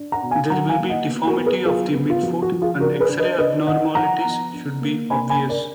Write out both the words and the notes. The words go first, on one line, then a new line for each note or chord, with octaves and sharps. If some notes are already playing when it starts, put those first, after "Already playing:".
There will be deformity of the midfoot and X-ray abnormalities should be obvious.
Already playing: D4
F#5 A#5
B2
F5 G#5
F#3 F#5 A#5
F5 G#5
A#3
D#5 F#5
B3
F#4 A#4
B3
G#4 B4
F#3 F4 G#4
B3
F4
F3 F#4
F#4
F3
F4 G#4
D4 F#4 A#4
G#4 B4
D4
B4 D#5
D4 B4 D#5
D#3 D#5 F#5
F3 F#5 A#5
B3
D4
A#3
D4 G#5 B5
G#5 B5
D4
A#4 D5